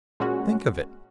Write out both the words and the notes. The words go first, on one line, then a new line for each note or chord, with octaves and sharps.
Think of it!
A#2 G#3 C#4 F#4